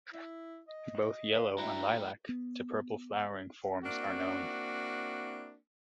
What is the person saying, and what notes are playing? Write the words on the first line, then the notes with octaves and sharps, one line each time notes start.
Both yellow and lilac to purple flowering forms are known.
E4
D#5
B4 E5 F5
A2 G3 D4 E4 F#4 A#5
B3
A#3 C4 D4 E4 F#4